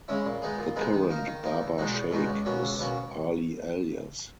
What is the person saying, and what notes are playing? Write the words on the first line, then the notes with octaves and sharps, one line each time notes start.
The current Baba Sheikh is Ali Alyas.
C#3 G#3 C#4 E4
A#2
G#3 B3 D#4 G#4
A#2
G#3 B3 D#4 G#4
D#3
A#3 D#4 A#4
D#3
A#3 D#4 A#4
E2
B2 G#3 D#4 F#4
E2
B2 G#3 D#4 F#4
C#2
B2 A#3 C#4 F#4
C#2
B2 A#3 C#4 F#4